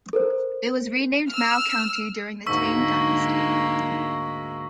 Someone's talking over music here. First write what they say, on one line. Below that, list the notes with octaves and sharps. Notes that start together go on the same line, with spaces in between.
It was renamed Mao county during the Tang Dynasty.
A4 A#4 C5
E6 F6
D2 G#2 G#3 A#3 D#4 C#6 E6 B6